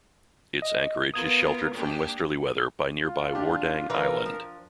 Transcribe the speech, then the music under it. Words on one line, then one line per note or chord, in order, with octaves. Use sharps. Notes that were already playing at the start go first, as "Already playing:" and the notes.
Its anchorage is sheltered from westerly weather by nearby Wardang Island.
D#5
B3 F4 A#4 D#6 G#6
A#3 D4 G4
F4
D4 G4
E3 F4 A#4 B4
F3